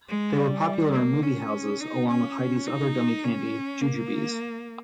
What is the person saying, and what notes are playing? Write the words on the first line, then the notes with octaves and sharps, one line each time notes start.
They were popular in movie houses along with Heide's other gummy candy, Jujubes.
G#3
G3
A#3
C#4
D#4
C#4
D#4
C#4
A#3